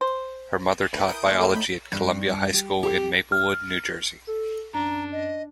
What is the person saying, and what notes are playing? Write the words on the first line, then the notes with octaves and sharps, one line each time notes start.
Her mother taught biology at Columbia High School in Maplewood, New Jersey.
C5
D2 B4
E4 A#4 G#5 D#6 G6 D7
D#3 A3 A#3 F4 D5
G3 A4
A2 A3 D#4 B5 G6
G2
G4
G4
F6
A4
F#2 D4 A#5
D#5